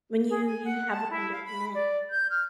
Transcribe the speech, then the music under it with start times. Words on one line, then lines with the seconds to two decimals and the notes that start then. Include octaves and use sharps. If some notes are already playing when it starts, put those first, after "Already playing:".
when you you have a commitment,
0.28 G#4
0.46 G#5
0.64 F#5
0.92 A5
1.11 E4
1.33 F5
1.45 B5
1.74 D5
2.11 G6
2.30 F6